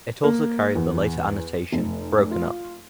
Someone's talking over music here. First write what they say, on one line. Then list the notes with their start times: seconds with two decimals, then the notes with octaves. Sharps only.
It also carried the later annotation "Broken up".
0.23 A#3
0.75 E2
1.72 F1
2.31 F4